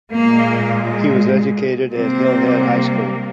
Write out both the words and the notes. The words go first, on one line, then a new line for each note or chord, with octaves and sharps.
He was educated at Hillhead High School.
A#2 G#3 A#3
C3 G3 A#3 C4